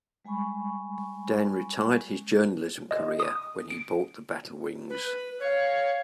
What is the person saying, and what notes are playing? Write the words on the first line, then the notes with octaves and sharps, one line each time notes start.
Dan retired his Journalism career when he bought the Battle Wings.
G3 G#3 G#5 B5 C#6
D#5
D#6
D7
B4
C#5 F5